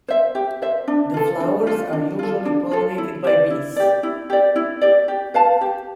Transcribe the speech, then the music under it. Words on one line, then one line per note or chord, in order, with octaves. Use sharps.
The flowers are usually pollinated by bees.
C5 E5
G4
C5 E5
D4
F4 A4
D4
F4 A4
D4
F4 A4
D4
F4 A4
E4
G4 D5
E4
G4 D5
E4
G4 D5
E4
G4 D5
G4
B4 F5 A5
G4